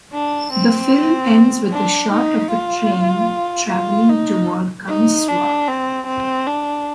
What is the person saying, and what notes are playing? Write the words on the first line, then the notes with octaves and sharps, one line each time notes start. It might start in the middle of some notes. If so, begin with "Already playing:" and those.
The film ends with a shot of a train traveling toward Kamisuwa.
D4
C4
D4
D#4
F4
F4
D#4
D#4
D4
C4
C4
D4